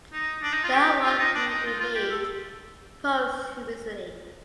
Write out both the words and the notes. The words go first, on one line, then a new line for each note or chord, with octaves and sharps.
The award may be made posthumously.
D#4
D4
D#4
F4
G4
F4
D#4
D4
D#4
F4
F4
G4
A4